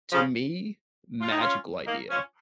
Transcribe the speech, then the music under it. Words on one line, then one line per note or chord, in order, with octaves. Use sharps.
to me, magical idea,
C#3 F3
F4
D#4
C#4 F4
A#3 D#4
C#4 F4